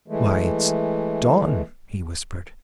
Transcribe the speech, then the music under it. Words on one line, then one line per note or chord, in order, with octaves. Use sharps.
"Why, it's dawn," he whispered.
E3 G#3 A3